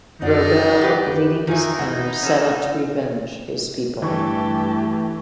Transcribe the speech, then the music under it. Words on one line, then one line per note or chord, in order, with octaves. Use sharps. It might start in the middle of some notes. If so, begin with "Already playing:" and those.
Roble leading his clan set out to revenge his people.
F#2 D4 D#4 D5 F#5
G4 B4
D#3 E3 D#4 F4 G#5
B2 E4 F#5
C#4 A4
G2 E3 A3 G4 A5 C#6